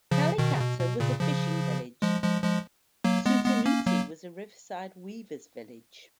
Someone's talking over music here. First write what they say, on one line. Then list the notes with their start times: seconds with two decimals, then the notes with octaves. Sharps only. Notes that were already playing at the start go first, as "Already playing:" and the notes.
Kalikata was a fishing village; Sutanuti was a riverside weavers' village.
0.11 C#3 F3
0.38 B2 D#3
0.54 C#3
0.60 B2
0.80 B2
1.00 A#2 C#3
1.20 C#3 F3
2.02 F3 G#3
2.23 F3 G#3
2.44 F3 G#3
3.04 F#3 A#3
3.26 G#3 B3
3.45 G#3 B3
3.66 A#3 C#4
3.86 F#3 A#3